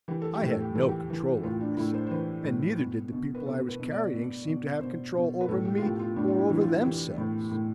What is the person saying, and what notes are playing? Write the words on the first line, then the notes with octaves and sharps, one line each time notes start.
I had no control over myself, and neither did the people I was carrying seem to have control over me or over themselves.
E3 G4
A4
G4
A2
A4
G4
E3 A4
G4
E3
A2 F4
D4
A2 E4
C5
C5
E3 B4
A2
B2
B2
B4
B2 A4
B4
B2
D5
B2
B2
B2 C5
B2
B4
A2 A4
G4
F4
A2 G4
F4
A2 D4
F4
E4
E3 E4
F4
E3 G4
A2
A2